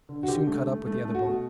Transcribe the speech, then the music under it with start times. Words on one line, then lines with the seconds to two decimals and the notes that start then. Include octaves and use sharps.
We soon caught up with the other boat.
0.09 D3
0.23 F#4
0.28 D3 G4
0.47 A3
0.67 A3
0.86 A3
1.05 A3
1.15 F#4
1.25 B2